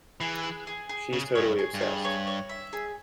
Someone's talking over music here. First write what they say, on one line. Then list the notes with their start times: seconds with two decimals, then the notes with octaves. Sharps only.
She's totally obsessed.
0.21 E3 G#4
0.44 G#4
0.67 G#4
0.89 G#4
1.13 C#3 G#4
1.35 G#2 C#5
1.43 G2
1.59 G#4
1.74 G2
1.81 G#4
2.05 C#5
2.27 C#5
2.49 E5
2.73 G#4